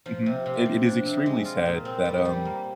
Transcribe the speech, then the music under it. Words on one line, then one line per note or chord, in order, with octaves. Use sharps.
Mhm. It it is extremely sad that, um,
F3
C3
C3
F3
D4
C3
G#3
F4
A#2
C4
G3
G3
A#3